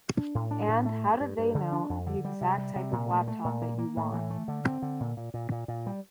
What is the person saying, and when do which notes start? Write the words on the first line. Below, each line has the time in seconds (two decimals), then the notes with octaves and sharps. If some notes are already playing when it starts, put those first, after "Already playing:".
And, how did they know the exact type of laptop that you want?
0.17 D4
0.35 A2
0.51 D4
0.68 A2
0.86 A3
1.04 G2
1.20 G2
1.38 G2
1.55 D3
1.72 D4
1.89 F2
2.07 D3
2.24 G3
2.41 C3
2.58 G3
2.76 C3
2.92 A#2
3.11 A3
3.28 A3
3.45 A#2
3.62 A#3
3.79 A#3
3.97 A2
4.13 E3
4.30 A3
4.48 D3
4.65 C4
4.82 D3
5.00 A#2
5.17 A#2
5.34 A#2
5.51 A#2
5.68 A#2
5.86 G3